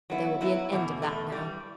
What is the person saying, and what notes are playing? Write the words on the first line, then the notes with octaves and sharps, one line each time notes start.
There will be an end of that now.
F#3 B3 E4
F#3 B3 E4
E2 B2 A3
E2 B2 A3
G2 E3 G3